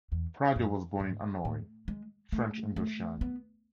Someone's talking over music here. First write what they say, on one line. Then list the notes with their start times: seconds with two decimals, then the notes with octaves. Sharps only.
Pradier was born in Hanoi, French Indochina.
0.12 E2
0.56 F#2
1.00 G#2
1.45 A2
1.88 G#3
2.32 A3
2.76 A3
3.21 B3